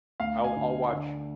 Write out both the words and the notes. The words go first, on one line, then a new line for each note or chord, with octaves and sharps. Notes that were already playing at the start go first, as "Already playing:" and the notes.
I'll I'll watch
D2 F5
G#5
D3
D3